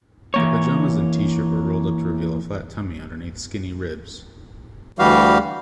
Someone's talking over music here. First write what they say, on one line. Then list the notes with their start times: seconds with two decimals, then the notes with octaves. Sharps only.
The pajamas and T-shirt were rolled up to reveal a flat tummy underneath skinny ribs.
0.34 E3 A#3 C#5
4.99 D2 E3 G3 F#4 G4 F5